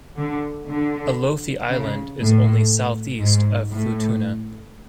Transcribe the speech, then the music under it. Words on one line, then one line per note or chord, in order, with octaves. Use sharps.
Alofi island is only southeast of Futuna.
D3
D3
C#3
A2
G#2
A2